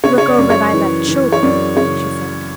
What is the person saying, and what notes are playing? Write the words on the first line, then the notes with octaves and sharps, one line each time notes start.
"Look over thy left shoulder," she said.
C#3 C#5
C#5
D5
F#2
C#5
E3
E3
C#5
F#2 D5
C#3 C#5